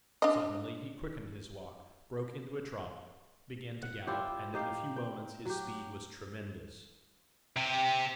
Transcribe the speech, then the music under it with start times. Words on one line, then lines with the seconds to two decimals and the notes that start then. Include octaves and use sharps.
Suddenly he quickened his walk; broke into a trot; began to gallop, and in a few moments his speed was tremendous.
0.22 D4 D#5
3.82 F#5
4.07 E4 F4 G4
4.54 D#4 G4 F5
4.96 G5
5.45 F#3 G4
7.56 C3 G4